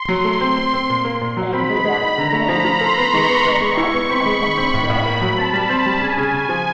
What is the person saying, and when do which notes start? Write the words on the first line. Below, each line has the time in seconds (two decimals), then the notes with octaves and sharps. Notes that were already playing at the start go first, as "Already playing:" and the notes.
And good afternoon, dear gray house up on the hill.
Already playing: C6
0.09 F#3
0.25 A3
0.41 C4
0.57 C4
0.74 C4
0.90 A#2
1.04 A#3
1.21 A#2
1.37 F#3
1.53 C4 B5
1.69 G#3
1.85 G#3
2.01 D#4
2.17 D3 A#5
2.33 A3
2.49 F3 B5
2.65 F3
2.81 A4 C6
2.97 B3
3.13 G#3 C#6
3.29 B3
3.45 B3 C#6
3.61 G#3
3.77 E4 C#6
3.94 B3
4.09 C4 B5
4.26 G#3
4.41 G#3
4.57 C4
4.74 A2
4.89 A2
5.05 A#3
5.21 F#3
5.37 C4 A5
5.53 G3
5.69 C4
5.86 G3
6.01 C#3 G#5
6.17 C#3
6.34 C#3
6.49 F3